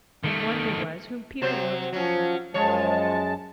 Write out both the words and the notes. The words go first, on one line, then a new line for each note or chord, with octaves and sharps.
And one there was whom Peter loves dearly.
D#3 A3
C3 F#3 C5
F3 F#3 C#4
F#2 F3 G#3 C#5 A5